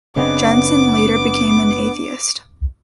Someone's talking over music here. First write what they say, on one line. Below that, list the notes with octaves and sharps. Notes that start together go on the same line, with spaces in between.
Jensen later became an atheist.
F#1 C#3 B3 C4 D4 C#5 D#5 D6